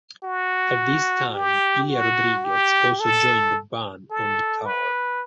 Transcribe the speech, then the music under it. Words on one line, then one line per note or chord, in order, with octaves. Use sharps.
At this time Ilia Rodriguez also joined the band on guitar.
F#4
G4
F#4
G4
A4
A4
B4